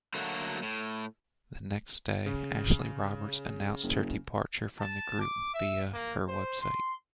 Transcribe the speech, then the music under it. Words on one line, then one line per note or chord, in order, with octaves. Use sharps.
The next day, Ashley Roberts announced her departure from the group via her website.
D3 F#3 A3 A#3 F#4
A2
C#3
F#1
A5
D6
E5
A#3
C5
C6